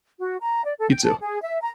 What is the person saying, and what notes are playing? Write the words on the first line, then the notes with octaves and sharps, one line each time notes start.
You, too.
F#4
A#5
D5
A4
G5
A5
G#4
E5
A#5